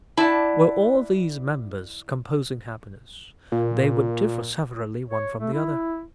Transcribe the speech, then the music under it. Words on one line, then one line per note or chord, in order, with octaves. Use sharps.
Were all these members composing happiness, they would differ severally one from the other.
E4 D5 F#5 A5
A#2
C#5
A3
E4